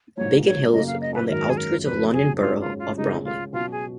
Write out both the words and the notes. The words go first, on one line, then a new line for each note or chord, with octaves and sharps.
Biggin Hill is on the outskirts of the London Borough of Bromley.
A#1 G#2 F#3 A#3 F4 C#5
C#5
F#2 C#3 F#3 A#3 D#5
F5
D#5
B4
G#1 F#2 D#3 G#3 C#4 A#4
G#4
A#4
F#1 F2 C#3 F#3 B4
G#4
G#2 F#3 C#4 F4 G#4
F4
F4
C#2 C#3 G#3 C#4 D#4 G#4
F4
B2 F#3 C#4 F4 F#4
G#4